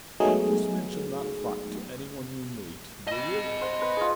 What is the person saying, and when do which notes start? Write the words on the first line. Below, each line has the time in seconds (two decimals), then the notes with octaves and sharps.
Just mention that fact to any one you meet, will you?
0.20 F#3 G#3 A3 B3 D#4 G#4
3.07 D#5 B5
3.61 C5 F#5
3.82 B4
3.97 F4 G#4